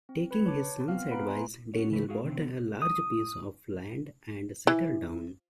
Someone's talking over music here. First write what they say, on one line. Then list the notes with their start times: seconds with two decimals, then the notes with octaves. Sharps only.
Taking his son's advice, Daniel bought a large piece of land and settled down.
0.09 C4
0.31 B4 B5 G#6 C#7
0.46 C#5 A5 D6
0.88 B3 C4 F4 F5 F6
1.11 B3 B4 F#5 A#5 B5 D7
1.26 E5 G#5 A#5 C6
1.74 C#4 F#4 C#5
1.91 C#3 E3 A3 B4
2.09 F#4 G#4 F5
2.24 C3 D#3 C4 D4
2.37 D3 B3
2.82 D#6
4.67 E3